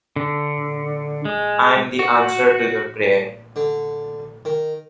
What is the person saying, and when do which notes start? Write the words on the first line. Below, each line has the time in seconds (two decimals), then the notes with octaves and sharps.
I'm the answer to your prayer.
0.16 D3
1.25 G#3
1.99 F#4
3.56 D3
4.45 D#3